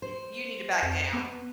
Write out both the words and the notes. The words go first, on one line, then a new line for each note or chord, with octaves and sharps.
you need to back down
C5
F2
B3 B4